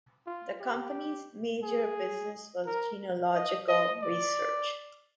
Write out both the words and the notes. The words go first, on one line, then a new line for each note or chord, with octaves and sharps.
The company's major business was genealogical research.
F4
G4
G#4
A#4
D#5
D#5
D5